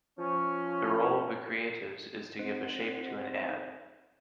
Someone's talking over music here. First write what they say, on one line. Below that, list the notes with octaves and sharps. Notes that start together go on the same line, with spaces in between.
The role of the creatives is to give a shape to an ad.
F3 C#4
C4 D#4 C5 F#5